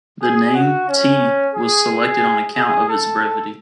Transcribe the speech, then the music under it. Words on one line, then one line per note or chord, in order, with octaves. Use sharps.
The name "Tea" was selected on account of its brevity.
G#4
F#4
C#4
G#4
G#4
A4